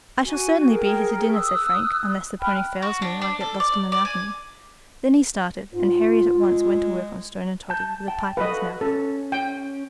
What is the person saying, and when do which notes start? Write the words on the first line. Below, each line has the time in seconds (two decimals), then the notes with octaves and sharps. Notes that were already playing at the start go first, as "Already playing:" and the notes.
"I shall certainly be here to dinner," said Frank, "unless the pony fails me or I get lost on the mountain." Then he started, and Herriot at once went to work on Stone and Toddy, with a pipe in his mouth.
0.24 F#4 G#5
0.68 G#4 A#4 G5
1.34 D#6 E6 F#6
2.40 G5 B5 F6 F#6
2.82 F#4
3.02 D4
3.22 D4
3.41 A4
3.60 D5
3.92 D5
4.05 G#5
5.73 G#2 F4
6.39 G#3
7.70 A5 G6
8.08 G5 A5
8.37 F#4 A4 B4 D#5 F5
8.81 C#4 A4
9.32 G5